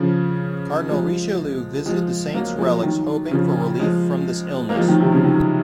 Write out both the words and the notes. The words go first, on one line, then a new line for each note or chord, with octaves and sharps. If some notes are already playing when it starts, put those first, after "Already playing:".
Cardinal Richelieu visited the saint's relics hoping for relief from this illness.
Already playing: C#3 F3
F3 G#3
F3 G#3
F#3 A#3
F3 G#3
D#3 F#3
C#3 F3
F3 G#3
A#3
F3 G#3
D#3 F#3
C3 D#3
C#3 F3
D#3 F#3